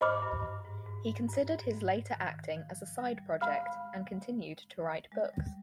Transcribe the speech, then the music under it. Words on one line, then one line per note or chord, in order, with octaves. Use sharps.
He considered his later acting as a side project and continued to write books.
G#2 C5 D#5 B5 D6 F6
G2
G2
G#2
G#2
G#2
G2
G#2
G#2
D#3
F3
G3
G#3 F5 B5 F6
G#3
G3